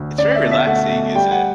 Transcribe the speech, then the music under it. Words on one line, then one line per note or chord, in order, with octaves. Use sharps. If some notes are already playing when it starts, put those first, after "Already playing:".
It's very relaxing, isn't it?
Already playing: D2
C#4 D5
E5
B2
E5
A3 F#5
B2
G3 G5
F#5